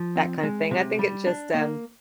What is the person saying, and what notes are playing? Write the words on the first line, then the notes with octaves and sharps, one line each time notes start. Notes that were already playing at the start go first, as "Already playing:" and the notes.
that kinda thing, I think it just, um,
Already playing: F3
C4
G#3
C3
G3
D4
A#3